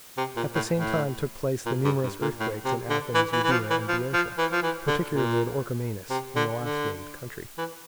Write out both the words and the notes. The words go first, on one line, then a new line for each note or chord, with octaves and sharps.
At the same time took place the numerous earthquakes in Athens, Euboea, and Boeotia, particularly at Orchomenus in the last-named country.
C3
A#2
A2
A2
A#2
G2
G2
A#2
A2
C3
D3
E3
E3
E3
F3
E3
F3
F3
E3
F3
E3
D3
A#2
C3
D3
D3
E3